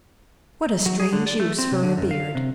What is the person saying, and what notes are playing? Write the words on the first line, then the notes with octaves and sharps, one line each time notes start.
What a strange use for a "beard"!
F#3
G#4
D3
D5
A3
C4
C3
D3
F#2
F5
C3